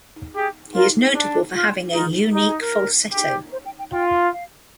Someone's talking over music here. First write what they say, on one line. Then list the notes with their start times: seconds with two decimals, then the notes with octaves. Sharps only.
He is notable for having a unique falsetto.
0.35 G4 G#4
0.74 F4 A#4
1.14 D4
1.54 F4
1.93 D#4 F4
2.33 D#4 G4
2.46 G#4
2.60 A#4
3.12 G4
3.52 C5
3.65 G5
3.79 G5
3.92 F4 G5
4.32 F5